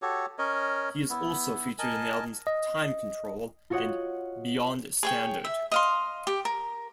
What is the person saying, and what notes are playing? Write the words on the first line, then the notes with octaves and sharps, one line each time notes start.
He is also featured in the albums "Time Control" and "Beyond Standard".
F#4 G4 A4 C#5
C#4 A#4 C#5 D#5
B3 E4
A#4 D#5 G#5 A5
D#5
F4 F#4 C#5 D#5 F#5
G#4 C#5 G5
E5
D#5 F5 C6
G4
A#4